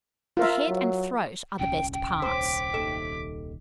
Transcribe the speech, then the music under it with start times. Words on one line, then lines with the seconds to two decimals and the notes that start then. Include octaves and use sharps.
The head and throat are the best parts.
0.37 F4 A#4 E5
0.68 F#3
1.59 D#1 C2 C#4 G5
1.93 G5
2.22 C5 D6 B6
2.74 D#2 A4 E5